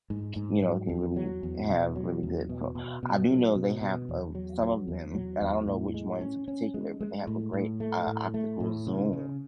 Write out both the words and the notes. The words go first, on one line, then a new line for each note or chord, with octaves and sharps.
c you know, can really have really good ph I do know they have, uh, some of them, and I don't know which ones in particular, but they have a great, uh, optical zoom,
G#2
G#2
F#3
E2
F#3
E2
B2
F#3
E2
B2
B2
B2
F#3
B2
B2
E2
F#3
F#3
E2
F#3
E2
A2
G#3
C#4
C#4
G#3
G#3
A2
A2
A3
A2
A3
A2
C#3
C#3